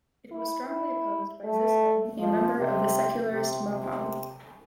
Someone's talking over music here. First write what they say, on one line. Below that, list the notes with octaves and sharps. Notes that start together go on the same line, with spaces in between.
It was strongly opposed by Zisling, a member of the secularist Mapam.
E4
E4
A3
F3
C3
C3
C3